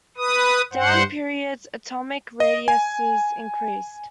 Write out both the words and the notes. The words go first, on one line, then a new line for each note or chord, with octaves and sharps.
Down periods, atomic radius increased.
B4 D#6
G2 C5 F#5
D#5
G#5